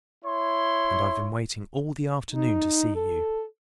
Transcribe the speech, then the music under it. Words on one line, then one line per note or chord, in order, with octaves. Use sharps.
And I've been waiting all the afternoon to see you.
E4 C#5 C6
D#4
A4